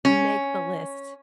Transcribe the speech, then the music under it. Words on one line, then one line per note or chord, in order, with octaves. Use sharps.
make the list
C#4